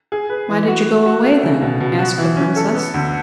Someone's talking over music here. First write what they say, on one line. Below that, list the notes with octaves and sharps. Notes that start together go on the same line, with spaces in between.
'Why did you go away then?' asked the princess.
G#4
B4
E3
F#4
F#4
F#4
A3
C#3
B2
B2
F#4
E3
C#4
A4
B3
D2